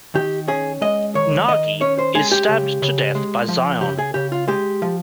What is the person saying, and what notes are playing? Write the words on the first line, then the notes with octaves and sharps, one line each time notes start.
Nagi is stabbed to death by Xion.
D#3 G4
C#4 G#4
G#3 D#5
D#3 C#5
D#3 D#5
C#4 C#5
C5
G#3 G#4
G4
C#3
C#3
G#3
F3
C#3 G4
G#4
C#3 G4
F4
G#3 G4
F3